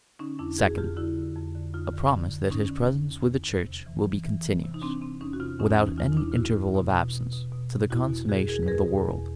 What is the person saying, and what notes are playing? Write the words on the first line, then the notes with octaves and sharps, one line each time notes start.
Second--A promise that His presence with the Church will be continuous, without any interval of absence, to the consummation of the world.
D3 C#4 D#4
F2 D4 E4
F2 F#4 G#4
F2 F4 G4
D3 E4 F#4
D3
F2
D3
F2 D#4 F4
D3
D3
D3
D3 C#4 D#4
D3
F2
F2
E2
E2
C3
E3
E3
E3
E3
C3
D#4
C3 C4 D4
C3 C4 D4
E2 C#4 D#4
F#4
C3 D#4 F4
E2 C#4 D#4
E3 C#4 D#4
E2 D#4 F4
D#4
C3 D4 E4
F4
E2 E4 F#4
E2
B2
B2
B2
B2
B2
B2
E2 E4 F#4
B2
E2 F#4 G#4
E2 G#4 A#4
B4
E2 G#4 A#4
B2
E2